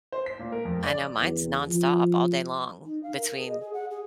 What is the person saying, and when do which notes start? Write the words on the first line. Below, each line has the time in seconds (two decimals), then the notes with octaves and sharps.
I know mine's nonstop all day long between,
0.12 C5
0.26 B6
0.39 A#2
0.52 A#4
0.65 F2
0.84 D5
1.18 E2
1.68 F3
2.85 D#4
3.03 F5
3.16 A#4
3.34 G#4
3.47 D#5
3.60 G#4
3.74 F#5
3.91 G#4